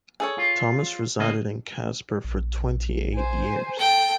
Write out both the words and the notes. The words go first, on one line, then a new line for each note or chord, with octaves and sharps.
Thomas resided in Casper for twenty-eight years.
G#4 A4 C#5
F4
C#3 A#3 D#5
A#1
C5 G#5
A4 G5